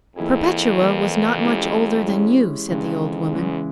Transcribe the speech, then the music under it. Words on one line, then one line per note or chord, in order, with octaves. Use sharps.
"Perpetua was not much older than you," said the old woman.
F2 E3 A#3 E4 G#4
E3 A#3 E4 G#4
G#3 C#4 E4 G4
G#3 C#4 E4 G4
G2 C#3 E3 G#3
F2
E2 C#3 E3 G#3